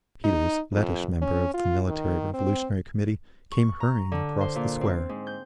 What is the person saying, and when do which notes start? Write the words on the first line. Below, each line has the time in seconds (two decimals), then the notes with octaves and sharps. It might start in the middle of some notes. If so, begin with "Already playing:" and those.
Peters, Lettish member of the Military Revolutionary Committee, came hurrying across the Square.
0.24 D#4
0.73 F2
1.21 C#4
1.54 F4
1.87 D#3
2.34 C4
3.52 C#6
3.80 A#5
4.12 D3
4.41 C5
4.56 A#2
4.81 C4
5.09 G#2
5.27 G6